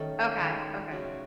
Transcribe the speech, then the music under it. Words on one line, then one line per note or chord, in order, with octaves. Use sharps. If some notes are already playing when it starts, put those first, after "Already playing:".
Okay, okay.
Already playing: D#3 F#3 A3 C#4 D#4 A4
D#3 G#3
C#3 F#3 A3